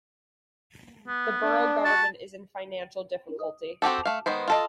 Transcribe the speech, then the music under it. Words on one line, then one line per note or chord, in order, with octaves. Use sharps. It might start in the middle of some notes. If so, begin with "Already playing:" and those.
The borough government is in financial difficulty.
B3
D4
F#4 A5
C4 F#4 G4 A4
A3 F5
D#3 G#3 B3 C5
F4 A4 D#5